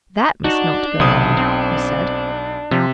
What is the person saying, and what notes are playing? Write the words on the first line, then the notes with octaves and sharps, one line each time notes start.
"That must not go on," he said.
D4 D#4 F#4
B1 C3 D#6
C4
C3 F3